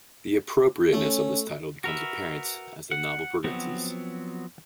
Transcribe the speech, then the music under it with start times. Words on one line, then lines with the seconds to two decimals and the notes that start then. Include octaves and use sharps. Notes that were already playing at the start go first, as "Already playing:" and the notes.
The appropriateness of this title becomes apparent as the novel progresses.
0.93 A3 C#4
1.84 F#4 A#4 B4 E5
2.91 F#5
3.44 F3 F#3 B3 C4 F#4